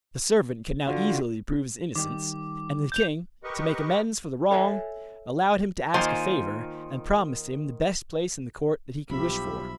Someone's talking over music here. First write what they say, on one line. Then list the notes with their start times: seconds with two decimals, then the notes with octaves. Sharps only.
The servant could now easily prove his innocence; and the king, to make amends for the wrong, allowed him to ask a favour, and promised him the best place in the court that he could wish for.
0.87 D3 F4 F#4
1.95 D#3 G3 D6
2.92 G6 F7
3.44 G4 A#4 B4 D#5 C#6
4.51 A4 C#5 E5 F#5 G#5
5.94 D#3 A#3 F4 C5 G#5
9.10 B1 F3 G3 G4 E5 B5